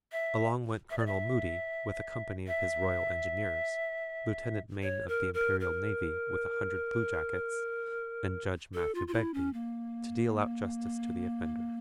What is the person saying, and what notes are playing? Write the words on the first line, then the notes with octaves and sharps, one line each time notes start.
Along went Colonel Moody, with a company of his Royal Engineers, Lieutenant Mayne of the Imperial Navy with a hundred bluejackets, and Judge Matthew Begbie, to deal out justice to the offenders.
E5
E5
D5
E5
E5
C#5
A#4
A#4
A#4
A4
F4
F4
E4
C#4
A#3